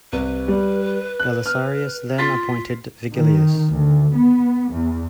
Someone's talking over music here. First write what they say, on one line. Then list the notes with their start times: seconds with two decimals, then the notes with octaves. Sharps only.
Belisarius then appointed Vigilius.
0.12 C2 B4
0.48 G3
1.19 F#6
1.46 F6
2.18 F4 C6 A6 B6
3.14 D#3
3.70 D2
4.15 B3
4.73 E2